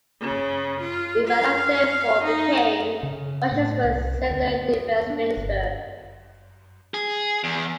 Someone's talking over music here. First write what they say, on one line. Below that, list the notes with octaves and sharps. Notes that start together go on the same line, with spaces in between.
Ivanov therefore became Russia's first civilian Defense minister.
C#3
F4
F5
D#4
C#3
A2
C2
D2
B3
D4
G1
G#4
E2